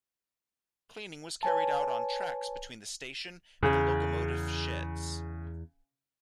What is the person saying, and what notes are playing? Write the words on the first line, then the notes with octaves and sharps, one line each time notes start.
Cleaning was carried out on tracks between the station and the locomotive sheds.
B4 C#5 G#5 A5
E2 C#3